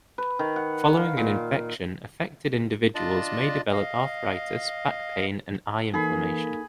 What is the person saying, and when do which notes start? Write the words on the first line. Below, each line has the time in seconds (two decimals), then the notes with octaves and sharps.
Following an infection, affected individuals may develop arthritis, back pain, and eye inflammation.
0.18 B4
0.39 D#3
0.56 F#5
0.97 F5
1.17 A#2
2.95 D4 F4 D5 D#5 A5
3.73 D#5 F5
5.94 E3 A#3 D#4 G#4 A4 B5